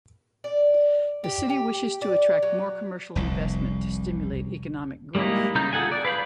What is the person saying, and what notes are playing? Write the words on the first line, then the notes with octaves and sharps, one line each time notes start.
The city wishes to attract more commercial investment to stimulate economic growth.
D5
G4
G4
D5
F#3
F1 C2
G3 G#3 A#3 D#4 E4
C#3 D#4 A#5 G6
F4 G#4 A4 F#5 G#5
D5
B4 F5 B5 G6